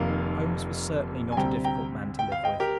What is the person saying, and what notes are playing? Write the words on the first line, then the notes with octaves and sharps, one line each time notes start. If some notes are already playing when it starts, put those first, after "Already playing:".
Holmes was certainly not a difficult man to live with.
Already playing: F1 F2 D#3 A#3 F5
G#5
D2 C3 G3 C4 G5 A#5
G5 A#5
G5
F5
D#5 G5
G4 A#4